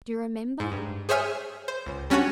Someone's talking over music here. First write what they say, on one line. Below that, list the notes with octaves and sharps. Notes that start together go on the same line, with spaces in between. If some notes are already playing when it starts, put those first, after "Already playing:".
"Do you remember?"
G#2
G2
G#4 C5 C#5 E5 G#5 F6
C5
C#2
G3 C#4 D4 F#4 C#5